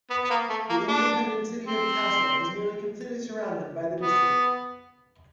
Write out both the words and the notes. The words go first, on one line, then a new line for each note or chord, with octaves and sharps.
The independent city of Kassel is nearly completely surrounded by the district.
B3
B3
A#3
A3
A#3
D4
C4
B3